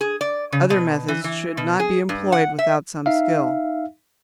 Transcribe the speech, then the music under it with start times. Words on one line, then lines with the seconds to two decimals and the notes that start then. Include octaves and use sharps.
Other methods should not be employed without some skill.
0.01 G#4
0.21 D5
0.52 C#3
0.70 B2
1.08 E3
1.24 E3
1.57 B2
1.80 G#4
2.09 G2
2.32 F#5
2.59 E5
3.06 D#4 E5 F5